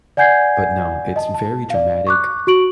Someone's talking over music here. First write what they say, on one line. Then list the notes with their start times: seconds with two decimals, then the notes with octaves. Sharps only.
But, no, it's very dramatic,
0.17 D5 F#5 G#5 G6 G#6 C7
1.16 D#5 A5
1.35 A5
1.70 D5 F5
2.07 C#6 D6 F#6
2.47 F#4 C#6 D7 F#7